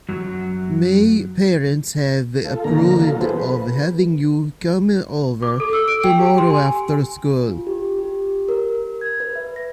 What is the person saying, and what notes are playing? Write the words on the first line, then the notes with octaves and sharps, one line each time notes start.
My parents have approved of having you come over tomorrow after school.
F#2 F#3
F4 A4
D2 A#2 D3 D#3 A#3 A#5
F#3 F4 A4
E3 B3 G#4 A4 B4 C5
B4
D6
A4
E6
D7
G5
G4
C6
G#5
F4
G4
G4
A#4
G#6
B4
E5
A#6